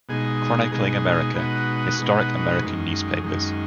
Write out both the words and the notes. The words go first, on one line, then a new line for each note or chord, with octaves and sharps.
Chronicling America: Historic American Newspapers.
B2 G#3 D#4 G#4
B2 G#3 D#4 G#4
B2 G#3 D#4 F#4 B4
B2 G#3 D#4 F#4 B4
F#2 D#3 G#3
F#2 D#3 G#3